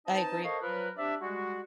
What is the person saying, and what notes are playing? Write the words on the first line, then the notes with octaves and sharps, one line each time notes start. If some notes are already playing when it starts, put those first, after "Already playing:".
I agree.
C4 D#4 B4 D#5 A5
A4 A#4 C5 C#5 D#5 F5
F3 F#3 F4 A#4 B4
C4 D4 G4 D5 E5
G3 G#3 F#4